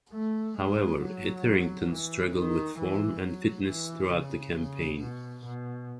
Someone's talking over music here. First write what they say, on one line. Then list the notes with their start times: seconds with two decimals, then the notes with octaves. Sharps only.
However Etherington struggled with form and fitness throughout the campaign.
0.13 A3
0.57 G#3
1.01 F#3
1.90 E3
2.34 D#3
2.78 E3
3.23 F#3
3.68 E3
4.12 C#3
4.56 C#3
5.00 B2
5.45 B2